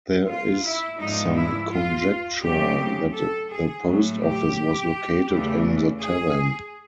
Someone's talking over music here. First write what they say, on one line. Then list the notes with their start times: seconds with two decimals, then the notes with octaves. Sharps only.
There is some conjecture that the post office was located in the tavern.
0.27 F4
0.64 E4
0.99 G#2 F3 G#3 B3 D4 D#4
1.35 E4
1.70 F4
2.42 F#2 C#3 F#3 A3 C4 G4
3.13 A4
3.50 G#4
3.85 A2 F#3 A3
4.21 G4
5.29 E2 C#3 E3 A3 D4
6.00 G#4